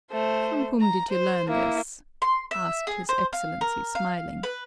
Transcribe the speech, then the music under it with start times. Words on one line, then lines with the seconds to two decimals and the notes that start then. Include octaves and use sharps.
"From whom did you learn this?" asked his Excellency, smiling.
0.12 A3 C5
0.81 A#5
1.11 C5
1.48 A#3 E4
2.22 C6
2.51 E5
2.87 G#4
3.09 C5
3.33 F5
3.61 A#4
3.95 F5
4.43 B4